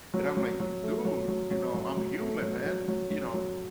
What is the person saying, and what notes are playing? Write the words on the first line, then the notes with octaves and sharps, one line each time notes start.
and I'm like, "Dude, you know, I'm human, man. You know,
F#3
F#3
F#3
A3
F#3
F#3
F#3
F#3
F#3
A3
F#3
F#3
F#3
F#3
F#3